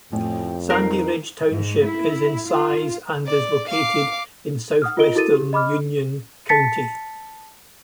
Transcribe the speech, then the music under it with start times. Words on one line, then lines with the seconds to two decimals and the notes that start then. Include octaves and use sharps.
Sandy Ridge Township is in size and is located in southwestern Union County.
0.12 A1 F2 G5
0.70 D#4 A#4 C7 D7
1.50 G#2
1.85 E4
2.47 F4
3.26 D5
3.70 F5 D6
4.82 F#5 D#6 F6
4.97 F4 A#4 D#5 D7 G7
5.15 E4 F#4 A4 A#4 A6 D#7
5.33 G4 G#4
5.53 D#5 B5 D6 F6
6.49 A5 A6 B6 C#7